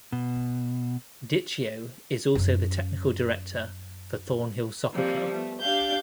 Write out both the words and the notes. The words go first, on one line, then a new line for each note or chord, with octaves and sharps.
Dichio is also the Technical Director for Thornhill Soccer Club.
B2
F#2 C#4
F3 G3 A#3 C4
A3 B3
D4 G4 F5 G6